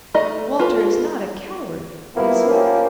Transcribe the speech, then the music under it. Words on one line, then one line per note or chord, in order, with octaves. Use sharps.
'Walter is not a coward, is he?'
A3 D#4 D5 D#5
F4 A4 B4
F3 A#3 B3 E4
F3 A#3 C#4 G4